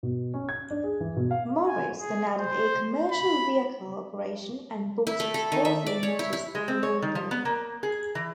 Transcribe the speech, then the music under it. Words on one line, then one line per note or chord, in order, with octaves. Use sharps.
Morris then added a commercial vehicle operation and bought Wolseley Motors the following year.
B2
C#4
G#6
D4
G#4
E3
B2
F5
G#5
G#4
C5
B5
E4
A3
A4
D#3
E5
D5
C#5
E4
E4
G#3
C4
C#5
D#3
F3
B3
A#3
G#4
E3